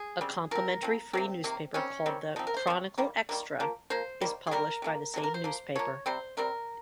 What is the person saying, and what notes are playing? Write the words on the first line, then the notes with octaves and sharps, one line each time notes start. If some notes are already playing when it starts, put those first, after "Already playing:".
A complimentary free newspaper called the "Chronicle Xtra" is published by the same newspaper.
Already playing: G#4
C#3 G3 C4
F3 C4 A#4
F3 C4
C3 D#3 A#3 C4
C3 D#3 A#3
D#3 G3 C4 C#4
D#3 G3 C4
F3 C4 D#4
A#4
C5
F3 C4 C#5
D#3 G3 A#3
D#3 G3 A#3
F3 A#3
F3 A#3 C5
D#3 G3 A#3
G#4
D#3 G3 A#3 A#4
C3 F3 A#3
C3 F3 A#3
A#4
C5
F3 A#3
F3 A#3 C#5
C3 G3 C4 C5
C3 G3 C4 A#4